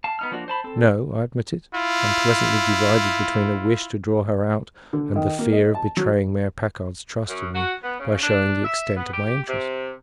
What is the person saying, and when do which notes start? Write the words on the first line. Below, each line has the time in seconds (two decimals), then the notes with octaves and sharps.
"No," I admitted, unpleasantly divided between a wish to draw her out and the fear of betraying Mayor Packard's trust in me by showing the extent of my interest.
0.04 F5 A5
0.19 B3 D#4 F6
0.31 F3 A#3 D4 F#4
0.48 C5 A5 B5
0.64 C4 A4
1.75 E4 F4
4.93 D3
5.16 D#3
5.39 A#3
5.52 D#5
5.74 A5
5.97 F#3
7.28 F#2
7.54 F#4
7.83 B3
8.00 C#3
8.22 D4
8.64 E5
8.97 B3
9.13 G4
9.48 C3